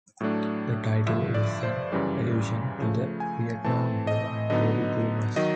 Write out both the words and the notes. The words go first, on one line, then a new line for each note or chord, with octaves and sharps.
The title is an allusion to the Vietnam War and baby boomers.
A2 F#3 A3 D4
G2 D3 F3 E5
D5
C5
F#2 C#3 E3 G3 D5
C#3 F3 A3
G#5
E3 A3 C4 A5
D#5
D3 F#3 B3 D#4 D#5
D#3 F#3 D#5